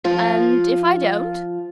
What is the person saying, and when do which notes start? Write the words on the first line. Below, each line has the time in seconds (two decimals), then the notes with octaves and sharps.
"And if I don't?"
0.04 F3 F4